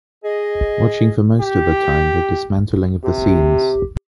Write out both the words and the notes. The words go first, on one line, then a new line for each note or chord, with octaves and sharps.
Watching for most of the time the dismantling of the scenes.
G#4 D#5
G4
C3 G4